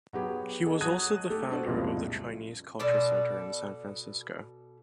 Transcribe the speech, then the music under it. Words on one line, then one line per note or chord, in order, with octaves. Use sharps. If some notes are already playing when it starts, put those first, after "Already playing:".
He was also the founder of the Chinese Culture Center in San Francisco.
F#3 B3 G4 G#4
G#4 A4 D#5
F#3 A5 D#6 F#6 G#6 D#7
A3 G4 A4
A3 D4 F#4 A4 C5 D5
C2 F2 A#2 C#3 G#3
B2 A4 D5